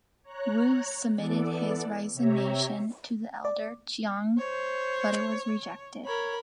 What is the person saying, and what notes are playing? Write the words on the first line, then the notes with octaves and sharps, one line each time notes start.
Wu submitted his resignation to the elder Chiang but it was rejected.
C#5 A#5 F#6
E3 B3 A4 D5
C3 G4 C#5 E5 A#5
D5
C5 C#5
A#4 C#5 B5